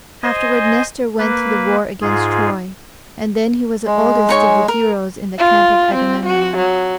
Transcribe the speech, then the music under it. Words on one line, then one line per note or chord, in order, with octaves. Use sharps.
Afterward Nestor went to the war against Troy, and then he was the oldest of the heroes in the camp of Agamemnon.
C5 D#5 G#5
A#3 B4
G#2 F4 G#4
G#3
D#4 C#5 G#5
A#4
F4
C4
F#4
F#3